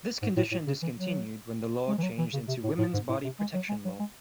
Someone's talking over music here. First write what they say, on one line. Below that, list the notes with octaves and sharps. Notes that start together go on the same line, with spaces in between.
This condition discontinued when the law changed into Women's Body Protection Law.
G#2
A2
A2
C#3
E3
F#3
G#3
E3
F#3
E3
C#3
C3
A2
A2
G#2
A2
C3
G#3
F#3
G#3
F#3
G#3